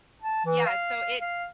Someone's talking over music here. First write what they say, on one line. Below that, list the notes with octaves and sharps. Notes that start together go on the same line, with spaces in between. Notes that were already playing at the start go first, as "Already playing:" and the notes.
yeah, so it
A5
E3
F5
F5